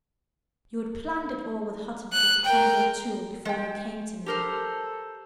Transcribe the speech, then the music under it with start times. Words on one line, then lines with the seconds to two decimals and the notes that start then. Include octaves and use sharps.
You had planned it all with Hutton, who has become your tool, before you came to me.
2.12 F#6
2.45 A#4 G5
3.45 G#3 G5
4.26 G4 A4 A#4 C5